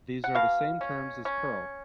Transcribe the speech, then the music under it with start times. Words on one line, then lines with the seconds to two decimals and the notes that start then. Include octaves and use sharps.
These are the same terms as Perl.
0.24 F#5
0.35 B2 F5
0.81 C#4
1.25 C#4